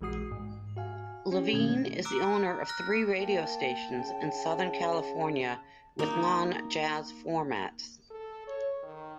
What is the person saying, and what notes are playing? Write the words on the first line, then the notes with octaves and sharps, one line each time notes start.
Levine is the owner of three radio stations in Southern California with non-jazz formats.
A#1 E3 G#3 F#4 D#6 C7
G#2
F#4 F5 G#5
C#4 G4
B2 D#3 A3 C#4 G#6
A#5 D6 E6 F#6 D7
F6 F#6 A#6
A#3 G5 A5
C#3
A#3 D#4
A4
C#5
D#3